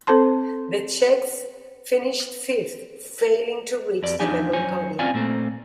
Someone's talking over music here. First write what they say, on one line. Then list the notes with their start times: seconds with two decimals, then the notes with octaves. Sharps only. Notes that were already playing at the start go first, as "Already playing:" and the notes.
The Czechs finished fifth, failing to reach the medal podium.
0.07 C4 A4 C5 A5 C6
4.03 F2 D5
4.20 E2 F3 D4 D#4 G#5
4.53 F#2 C5 C#5 G#5
4.99 C4 C#4 F4 D5 F5 G#5
5.14 A#2 A3 A#3 C4